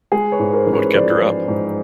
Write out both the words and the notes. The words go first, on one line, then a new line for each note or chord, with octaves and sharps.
What kept her up?
G#3 G#4
B4 C#5
G#2
A#4 C5
A1
B4 C#5
F3 C5 D5
G#3
G#2